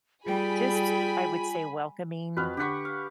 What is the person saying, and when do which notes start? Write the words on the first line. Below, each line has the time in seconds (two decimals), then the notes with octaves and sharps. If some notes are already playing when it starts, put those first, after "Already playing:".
just, I would say, welcoming,
0.24 G3 F4 G#4 G5 G#5 B5
2.37 F2 F#4 B4 F6
2.57 D3 G4 F#5 C#6 B6
2.85 F5